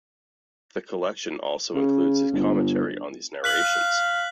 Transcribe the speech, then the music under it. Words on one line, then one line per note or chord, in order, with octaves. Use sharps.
The collection also includes his commentary on these narrations.
C#3
G1
F5 F#6 B6 F#7